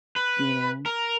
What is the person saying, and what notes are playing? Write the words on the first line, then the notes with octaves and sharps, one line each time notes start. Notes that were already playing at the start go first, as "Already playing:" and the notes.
You know?
B4
A#4